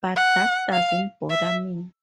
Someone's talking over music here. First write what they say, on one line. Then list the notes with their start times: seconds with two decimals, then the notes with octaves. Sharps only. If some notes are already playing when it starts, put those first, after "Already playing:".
But that doesn't bother me.
0.16 F#5
0.72 F5
1.30 E5